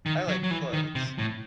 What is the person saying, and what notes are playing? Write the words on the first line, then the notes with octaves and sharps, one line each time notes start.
I like clothes.
D#3
F#3
F#3
E3
D#3
C3
A2